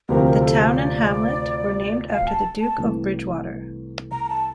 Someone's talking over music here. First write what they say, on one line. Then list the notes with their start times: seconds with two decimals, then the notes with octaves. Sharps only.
The town and hamlet were named after the Duke of Bridgewater.
0.09 D2 C3 F3 C4 A#4
0.25 A#4
0.42 A4
0.59 C5
0.76 D5
2.10 F5
2.27 A5
2.60 A5
2.78 C2 C3 E3 A3
4.11 A#5
4.24 A#5
4.29 A5